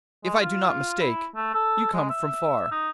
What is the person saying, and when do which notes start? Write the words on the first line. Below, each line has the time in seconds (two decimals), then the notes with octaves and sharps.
'If I do not mistake, you come from far.
0.25 G#3
0.40 F4
1.01 E4
1.36 A3
1.54 A4
1.93 G#3
2.10 E5
2.71 D#4